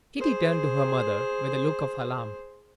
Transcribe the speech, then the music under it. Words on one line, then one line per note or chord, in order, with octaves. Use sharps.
Kitty turned to her mother with a look of alarm.
G#4 C5